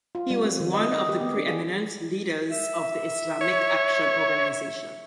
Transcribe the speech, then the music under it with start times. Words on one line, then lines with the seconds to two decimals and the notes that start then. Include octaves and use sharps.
He was one of the preeminent leaders of the Islamic Action Organisation.
0.15 F4
0.30 G3
0.44 C4
0.60 D#3
0.74 D#5
0.93 D#5
1.09 G4
1.21 B3
1.36 D4
1.48 G#4
2.51 E5
3.41 C#5